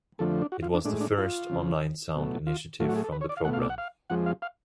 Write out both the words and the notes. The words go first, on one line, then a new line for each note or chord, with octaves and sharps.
It was the first online sound initiative from the programme.
F2 D3 F3 A3 A4
D4
F#4
F4
D4
A2 G#3 D4
D4
F4
F2 C#3 F3
B2 F#3 A3
F4
A2 F#3 A3 F4
F#4
G#4
A4
B4
C#5
D5
F5
B2 A3 F#5
F5
D5
F#5
F5
F2 F3 G#3 F#5
F5
F5